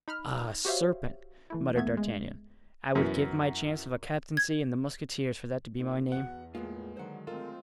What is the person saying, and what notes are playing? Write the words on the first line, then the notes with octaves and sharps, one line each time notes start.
"Ah! serpent," muttered D'Artagnan, "I would give my chance of a captaincy in the mousquetaires for that to be my name."
D#4 B5 F6
F#4 G4 C5 C#5 E5 F5
E3 A3 E4
E2 A3 B3 E5 G#6
G#3
F#2 E3 B3
G#6
A#3 D#4 F4
E2 B3 F#4 F#5
A2 G#3 A#3 B3 F4
D3 D#3 F#3 C5 F#5
G#3 A3 C4 F4 A4 A#4